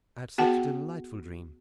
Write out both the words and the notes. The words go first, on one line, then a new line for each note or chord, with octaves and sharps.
I had such a delightful dream.
B3 F#4 G#4 F#5 G5 A5